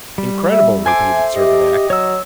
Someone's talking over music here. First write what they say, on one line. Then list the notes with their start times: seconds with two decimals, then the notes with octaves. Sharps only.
"Incredible?" repeated Servadac.
0.18 G3
0.52 E5
0.86 A4 C5 G#5 D6
1.36 G4 D#5
1.90 F#3 C#5 E6